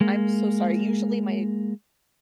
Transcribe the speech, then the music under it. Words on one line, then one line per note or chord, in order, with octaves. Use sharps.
I'm so sorry, usually my
G#3 A#3